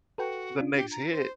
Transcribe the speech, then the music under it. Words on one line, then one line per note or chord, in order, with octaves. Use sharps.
the next hit."
F#4 A4 B4 G5
D4 F4
G4
A#5
C5